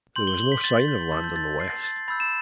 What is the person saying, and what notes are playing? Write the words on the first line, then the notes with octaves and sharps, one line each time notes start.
There was no sign of land in the west.
C6 G6 F#7
G7
F#7
B6
A6
G6
A5 E6 G6 A6
G6
A6
C7
A6
B5 E6 G6 A6
E7